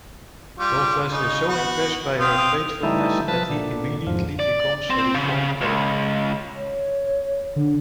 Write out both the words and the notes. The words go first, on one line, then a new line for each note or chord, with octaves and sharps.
Loveless is so impressed by her faithfulness that he immediately becomes a reformed character.
G3 F4 D6
C#3 D#4
B3 F#4
C4 F5 G5 D#6
E3 G3 A3 D#4 E4
F3 B4 A5
A#2 D3
F2 G#2 F3
D5
C4
C#3
C#2
C#5
D3 D4